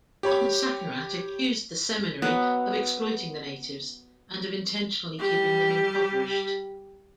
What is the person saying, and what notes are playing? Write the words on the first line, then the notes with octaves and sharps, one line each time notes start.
Onasakenrat accused the seminary of exploiting the natives and of intentionally keeping them impoverished.
G4 C#5 B5
F#3 B3
G3 G4